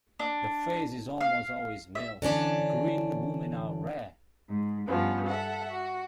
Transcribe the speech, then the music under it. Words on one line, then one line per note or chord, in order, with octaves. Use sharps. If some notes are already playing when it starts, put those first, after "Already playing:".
The face is almost always male; green women are rare.
D4
F5
E5
D3 E3 C#4 D4
G#2
G2 F3 B3 C#4
A4 E5 F#5
F#4